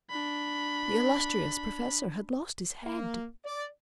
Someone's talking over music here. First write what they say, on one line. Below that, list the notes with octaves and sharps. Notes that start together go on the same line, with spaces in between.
The illustrious professor had lost his head.
D4 B5
A#3
D5